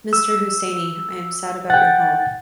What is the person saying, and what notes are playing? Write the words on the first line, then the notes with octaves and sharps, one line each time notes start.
Mr. Hussaini, I am sad about your home.
E6
F#5 G5 A6